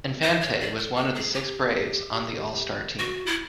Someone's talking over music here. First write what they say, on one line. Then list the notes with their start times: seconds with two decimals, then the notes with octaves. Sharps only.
Infante was one of six Braves on the All-Star team.
0.23 C5
0.41 C#5
0.60 D5
0.78 A#4
0.96 A4
1.15 G#4
1.34 G4
2.99 F#4
3.26 E4